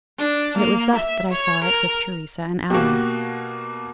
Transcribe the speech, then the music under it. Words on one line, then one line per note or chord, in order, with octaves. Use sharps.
And it was thus that I saw it with Theresa and Allan.
D4
A#3
E5
C#5
A#4
B2 A#3 F#4 G4